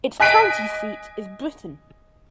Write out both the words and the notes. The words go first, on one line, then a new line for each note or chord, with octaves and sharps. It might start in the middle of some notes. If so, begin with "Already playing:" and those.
Its county seat is Britton.
D#5 G#5 F#6 B6 D7 D#7